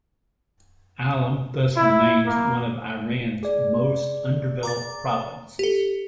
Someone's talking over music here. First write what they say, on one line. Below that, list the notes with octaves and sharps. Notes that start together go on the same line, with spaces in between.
Ilam thus remains one of Iran's more undeveloped provinces.
E4
A#3
G#4 D5
A#5 D6 A6
G4 A4